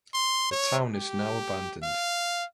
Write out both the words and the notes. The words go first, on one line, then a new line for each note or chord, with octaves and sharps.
The town is now abandoned.
C6
C#5
G4
F5